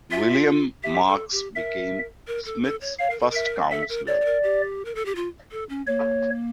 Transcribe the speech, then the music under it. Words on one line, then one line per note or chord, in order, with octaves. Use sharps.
William Marks became Smith's First Counselor.
F4 E5
G4 E5
A4
G4
A#4 E5
A#4
A4
A4
C#5
C#5 F5
A#4
A4
A#4 E5
A4 E5
A#4
C#5 D5
C#5
A#4
G4
A#4
A4
G4
F4
A4
C#4
A#3 C#5